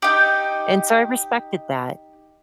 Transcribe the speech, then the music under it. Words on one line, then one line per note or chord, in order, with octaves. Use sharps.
and so I respected that,
D#4 G4